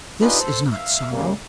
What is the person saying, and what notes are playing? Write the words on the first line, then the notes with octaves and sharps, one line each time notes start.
This is not sorrow.
D4 D#4 F4 G4 G#4 B4
A4 C5
E5 F5
F#2 C#3 G3 A#3